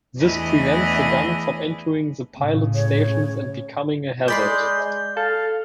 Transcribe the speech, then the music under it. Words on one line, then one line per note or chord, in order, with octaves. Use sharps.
This prevents the gun from entering the pilots stations and becoming a hazard.
E2 E3 A3 D4 G#4 D#5
A2 C#3
C#5
G#3 D5 B5 C6 G6
A4 F5